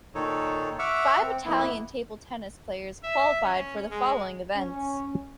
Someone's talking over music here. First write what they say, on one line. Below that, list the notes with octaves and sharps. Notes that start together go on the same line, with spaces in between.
Five Italian table tennis players qualified for the following events.
A#2 D#3 D#4 A4 C#5
E5 F#5 C#6 D6 E6 F6
C4
F2 A#3 B3 E4
E5
C#4
G#3
C#4